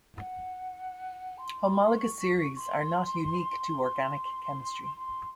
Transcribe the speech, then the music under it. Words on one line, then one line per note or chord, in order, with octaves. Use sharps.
Homologous series are not unique to organic chemistry.
F#5
C6
C#6
C6
C6